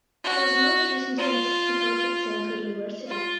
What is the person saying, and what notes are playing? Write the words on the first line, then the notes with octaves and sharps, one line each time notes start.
He was most recently an assistant coach at Samford University.
F#4
F4
F4